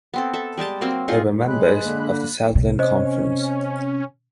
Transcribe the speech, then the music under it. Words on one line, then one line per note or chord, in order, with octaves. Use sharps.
They were members of the Southland Conference.
B3 C4 A4
A4 E5
G3 G#3 G4 A5
F#3 A#3 C4
A#3 D#4 F4 G#4
G#3 G4 C#5 B5 F#6
D3 A#3
C2 C3
C#4 C5 D#5